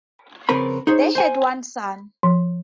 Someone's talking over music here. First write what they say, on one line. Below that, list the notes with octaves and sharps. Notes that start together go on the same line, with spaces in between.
They had one son.
F2 C#3 C4 A#4 B4 B5
D#4 G#4 C5 C#5
C5 G#5
F3